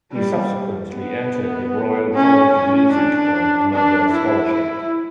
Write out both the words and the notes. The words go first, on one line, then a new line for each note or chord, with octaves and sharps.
He subsequently entered the Royal College of Music on another scholarship.
G3
B3
C#4
C#4
D4
D4
E4
E4